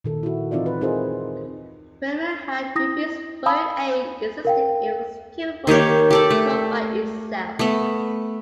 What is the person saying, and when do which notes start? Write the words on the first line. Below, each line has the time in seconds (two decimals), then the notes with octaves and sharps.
Burma had refused foreign aid, insisting it was capable to cope by itself.
0.04 A#2 D#3 A4
0.23 E4 F#4
0.51 E3 C4 D#4 F4 D5 E5
0.66 B4
0.81 C4 D#4 F4 G#4 A#4 C5
2.75 E4 D#6 A#6
3.46 F5 A5 B5 D#6 E6
4.45 A#4 F5 G5
5.67 D#3 A#3 G4 C#5
6.11 G4 A4 D5
6.30 A3
7.59 A3 B3